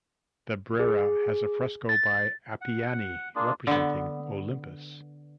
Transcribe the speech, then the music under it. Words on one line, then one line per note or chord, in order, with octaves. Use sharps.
The Brera has a fresco by Appiani representing Olympus.
G#4
A6
F#5
A#3 D4 F4 G#4
D3 B3